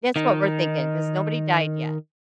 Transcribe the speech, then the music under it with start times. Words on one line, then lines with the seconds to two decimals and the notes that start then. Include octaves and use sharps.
That's what we're thinking 'cause nobody died yet.
0.16 D#3 D#4